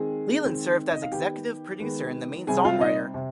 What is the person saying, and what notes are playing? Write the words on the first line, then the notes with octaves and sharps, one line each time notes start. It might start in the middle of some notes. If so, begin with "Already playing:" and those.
Leland served as executive producer and the main songwriter.
Already playing: D#3 G#3 C4 G#4
D#3 G#3 C4
D#5
F5
D#3 B3 G4 G5
D#3 G#3 B3
C3 G3 C4 G#4 G#5
F4 F5
D#4 D#5
C3